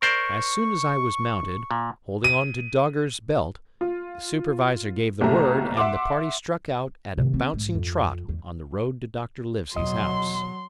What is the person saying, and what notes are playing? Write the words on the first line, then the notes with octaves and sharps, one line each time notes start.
As soon as I was mounted, holding on to Dogger's belt, the supervisor gave the word, and the party struck out at a bouncing trot on the road to Dr. Livesey's house.
A#4 C5 D5 C#6
A#2
D#7
F4
F#1 B1 A3 G4 E5 A#5
E5 F#5 C6 D6
C3 D#3
C4 E4
A#1 G#2
F2
E2
E2 B2 F#3 D#5 C6